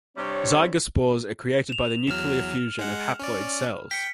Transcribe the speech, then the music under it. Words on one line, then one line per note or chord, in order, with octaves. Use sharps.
Zygospores are created by the nuclear fusion of haploid cells.
C3 G3 C4 D4 C#5
E7 F7
E2 F#3 F6 E7
G#3 F#5
C#4 D5
G5 B6 C#7